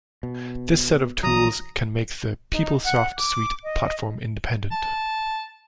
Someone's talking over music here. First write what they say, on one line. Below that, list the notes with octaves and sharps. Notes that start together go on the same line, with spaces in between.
This set of tools can make the PeopleSoft suite platform-independent.
B2
A#1 E3 F#3 A#5 D#6
D#4
F#5
D6
D#5
A5